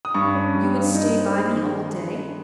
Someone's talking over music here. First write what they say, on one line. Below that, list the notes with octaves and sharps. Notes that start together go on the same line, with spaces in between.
"You would stay by me all day?"
D#6
G2 C#6
C#4
G3
G2
D#4
C4
G#3
D#3